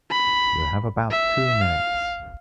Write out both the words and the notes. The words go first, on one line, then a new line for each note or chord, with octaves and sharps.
You have about two minutes.
B5
E5
F5